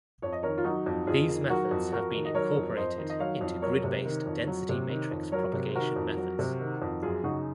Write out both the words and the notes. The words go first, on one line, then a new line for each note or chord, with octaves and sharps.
These methods have been incorporated into grid-based density matrix propagation methods.
F2 C#5
D#5
D#3 A#4 C#5
F4
F#3 D#4 F#4
F2
F2 F4 G#4
D#3
F#3 F#4 A#4
F2
F2 F#4 A#4
D#3
D#5
F#3 A#4 C#5
F2
F2 C5 D#5
D#3
D#5
F#3 C#5 F5
F2
F#3 A#4 C#5
C3
D#3
F2
F#3
C3
D#3
F2
F#3 A#4 C#5
C3
C5
D#3 F#4 A#4
F2
F#3
C3
D#3
F2
F#2 F4 G#4
C#3 D#4 F#4